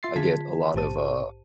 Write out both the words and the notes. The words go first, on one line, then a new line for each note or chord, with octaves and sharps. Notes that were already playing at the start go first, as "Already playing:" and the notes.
I get a lot of, uh,
F4 E5 C6 A6 C7
D3 F4 G#4 A5 G#6 B6
A#1 G#2 G4 C5 A5 D#7